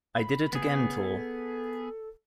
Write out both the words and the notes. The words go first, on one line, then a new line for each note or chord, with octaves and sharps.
I Did It Again Tour.
B5
C#3 B3 G#4
A4